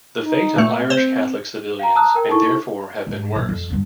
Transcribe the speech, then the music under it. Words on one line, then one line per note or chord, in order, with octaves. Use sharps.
The fate of Irish Catholic civilians may therefore have been worse.
D#4
A#2 A3
C4
C5
F5 G5 A#5
A5 A#5 D#6 E6 F#6
A#4 G5
D#4 E4 A4 C#6
G#2
A#1 F#2
F2
G2 D3